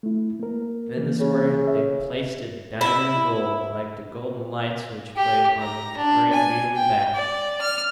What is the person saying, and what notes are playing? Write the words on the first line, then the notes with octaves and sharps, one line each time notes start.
Within this square they placed a diamond of gold like the golden lights which play upon the green beetle's back.
A3 E4
A#3 A#4
E3 A#3
C#3
E5
E4
G4
A#5
D4
G#5
G5
D5
F6